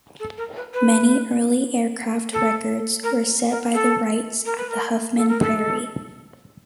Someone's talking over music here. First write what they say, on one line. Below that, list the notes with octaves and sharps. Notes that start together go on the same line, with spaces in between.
Many early aircraft records were set by the Wrights at the Huffman Prairie.
A4
A#4
B4
B4
A4
A#4
A#4
A4
A#4
B4
A#4
A4
A#4
A4